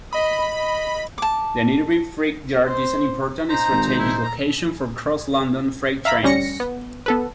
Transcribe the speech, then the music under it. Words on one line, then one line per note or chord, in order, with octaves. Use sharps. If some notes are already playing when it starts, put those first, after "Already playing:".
The nearby freight yard is an important strategic location for cross-London freight trains.
D#5 B5
D#5
A5 D6
C5
D#4 C5 A#5
G#1
E4
A#5
E5 F5 A#5 B5
D2 G3 C#4 A#6 C#7
B3
B3 A4 B4